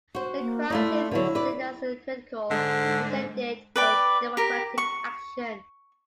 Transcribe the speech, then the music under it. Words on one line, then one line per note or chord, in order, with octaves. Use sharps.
The Crisis is seen as a critical precedent for democratic action.
F#4 C5
A#3
A3 E4 F4 D5
D3 F#3 E4
B4 D5
G#2 D3
B4 D5 G5
G4 A#4
C#6